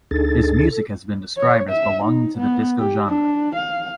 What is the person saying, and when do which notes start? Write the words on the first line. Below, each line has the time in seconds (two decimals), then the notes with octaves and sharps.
His music has been described as belonging to the disco genre.
0.11 D2 D4 D#4 G#4 A4 A6
0.71 A4
1.38 C#5
1.69 E5
2.04 D#4
2.38 B3
2.79 G4
3.08 D4
3.55 F5